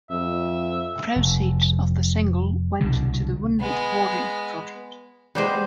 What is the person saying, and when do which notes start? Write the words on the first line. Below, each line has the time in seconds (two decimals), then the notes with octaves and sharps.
Proceeds of the single went to the Wounded Warrior Project.
0.10 F2 E5
1.16 F1
2.80 C2 B2 D3
3.60 G#3 B3
5.35 G3 G#3 B3 G4 C5